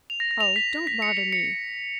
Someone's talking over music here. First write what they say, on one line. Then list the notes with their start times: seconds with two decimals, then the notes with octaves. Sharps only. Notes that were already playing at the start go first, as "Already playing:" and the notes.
'Oh, don't bother me.
0.10 F7
0.20 A#6
0.31 A#6
0.41 F7
0.56 B6
0.87 B6
1.02 C#7
1.17 F7
1.33 C#7